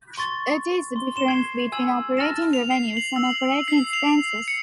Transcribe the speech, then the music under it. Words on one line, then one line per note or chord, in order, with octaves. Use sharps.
It is the difference between operating revenues and operating expenses.
C6 C#6 A6
C6
C6 E7 G7
G#6 C7 G7
G#5 E6 G#6 E7 F#7
A5 F6 A6 A#6 E7
F7
C7
F#7
E6
C7
F7
C#7